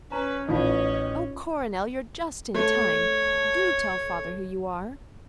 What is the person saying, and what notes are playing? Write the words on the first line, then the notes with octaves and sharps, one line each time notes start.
"Oh, Coronel, you're just in time; do tell Father who you are."
C#4 B4 A#5
A1 C#4 D#4 F4 D#5 F5
A3 C#5